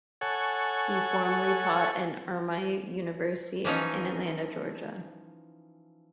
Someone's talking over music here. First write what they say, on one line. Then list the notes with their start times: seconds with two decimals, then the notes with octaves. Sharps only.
He formerly taught at Emory University in Atlanta, Georgia.
0.21 A4 C#5 F#5 G#5
3.65 E3 F3 C#4 D#4